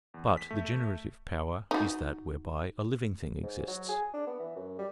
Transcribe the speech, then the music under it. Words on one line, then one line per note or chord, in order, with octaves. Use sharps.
But the generative power is that whereby a living thing exists.
E2
B6
A3
D#4 F#4
G#2
F#3
G#4
D4
B3
E3
F#2
G3